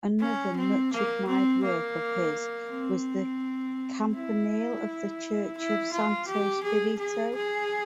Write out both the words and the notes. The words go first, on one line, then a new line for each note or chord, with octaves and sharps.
Another much-admired work of his was the campanile of the church of Santo Spirito.
C#4
C4
A#3
C4
A#3
C4
E4
E4
F4
G4
G#4
G#4
G#4